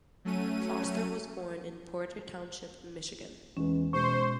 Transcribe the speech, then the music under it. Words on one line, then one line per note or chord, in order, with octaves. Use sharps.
Foster was born in Porter Township Michigan.
F#3 A3 C#4 D#7
E2 G#3 C#4 B4
B2 G#3 C5 C#6